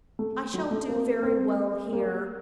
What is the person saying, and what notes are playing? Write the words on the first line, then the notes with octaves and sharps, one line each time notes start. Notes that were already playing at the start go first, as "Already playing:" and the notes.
I shall do very well here.
A3
F#3
A3
A#3
C4
A#3